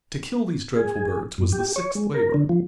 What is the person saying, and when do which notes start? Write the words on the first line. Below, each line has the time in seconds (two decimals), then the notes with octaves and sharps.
To kill these dreadful birds was the sixth labor.
0.76 G#4
1.38 F#2
1.53 G4
1.76 C#5
1.95 G#3
2.14 A#4
2.34 D3
2.49 F3